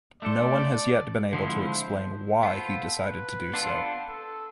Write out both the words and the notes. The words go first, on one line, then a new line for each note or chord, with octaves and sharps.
No one has yet been able to explain why he decided to do so.
A3 D4 A4 C5 D5
D3 F3 G#3 C4 E4 C5
B3 F4 A4 C5
B4
B3 D4 F4 A4 C5
A4